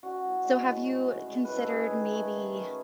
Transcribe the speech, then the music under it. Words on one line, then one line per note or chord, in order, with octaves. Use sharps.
so, have you considered, maybe,
C#4 F#4
A2
G#3
A2
C#4
A2
G#3
A2 B4
A4
C#4 G#4
D#3
A3
D#3
C#4